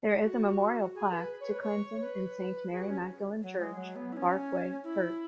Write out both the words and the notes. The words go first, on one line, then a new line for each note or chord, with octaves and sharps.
There is a memorial plaque to Clinton in Saint Mary Magdalene Church, Barkway, Herts.
F#4
G#4
B4
C#5
B4
C#5
B4
G#4
F#4
C#4
F#3
G#3
F#3
B3
E4
C#4
E4